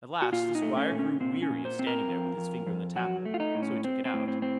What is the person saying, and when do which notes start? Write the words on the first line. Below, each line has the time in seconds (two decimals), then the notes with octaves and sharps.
At last the Squire grew weary of standing there with his finger in the taphole, so he took it out.
0.22 F#4
0.32 A#2 F4
0.55 D#4
0.62 A3
0.77 C#4
0.91 A#2
0.99 C#4
1.20 A#2 C4
1.42 C#4
1.50 A#2
1.65 C5
1.79 C4
1.87 A#4
2.08 F2
2.37 F2
2.67 F2
2.96 F#3 F#4
3.25 A3
3.34 F4
3.40 D#4
3.55 A2
3.62 C#4
3.84 C4
4.05 C4
4.14 A2
4.28 C4
4.42 C4